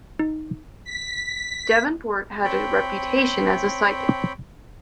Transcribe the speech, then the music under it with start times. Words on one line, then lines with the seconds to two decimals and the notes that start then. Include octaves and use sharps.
Devenport had a reputation as a psychic.
0.19 D#4
0.84 B6
2.45 C4 C#5 G5 B5